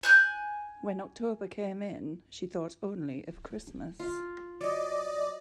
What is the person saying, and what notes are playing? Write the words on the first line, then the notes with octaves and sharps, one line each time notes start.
When October came in, she thought only of Christmas.
G#5 F#6 G6
F4
F#3 D5 D#5